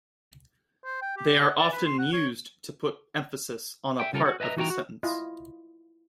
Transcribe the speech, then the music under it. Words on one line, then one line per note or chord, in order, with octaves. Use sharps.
They are often used to put emphasis on a part of the sentence.
C5
G5
G4
F#5
D5
B4
C6
F#5
C#5
E5 G5
C#3 G3 F4 A4 A#4
F#4
B4 D#5 E5 A5 A#5
E3 D#4 F#4 D5 G5 A#5
F#4
E4 F4 D#5